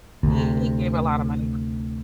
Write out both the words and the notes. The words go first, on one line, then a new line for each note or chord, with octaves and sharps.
he he gave a lotta money.
D2 C3